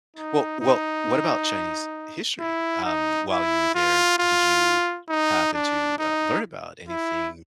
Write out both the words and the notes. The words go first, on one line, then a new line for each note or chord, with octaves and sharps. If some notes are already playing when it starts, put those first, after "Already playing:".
Well well, what about Chinese history? Um, while you were there, did you happen to, uh, learn about anything
D#4
D#4
E4
D#4
E4
F4
F4
D#4
D4
D#4
E4